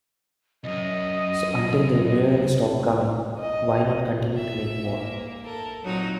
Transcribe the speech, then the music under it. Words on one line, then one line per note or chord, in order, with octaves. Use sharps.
So until they really stopped coming, why not continue to make more?
C2 F#2 D#5
D#5
E5
A#3
A4 A#4
A#2 F#3 C4 D#4 F#4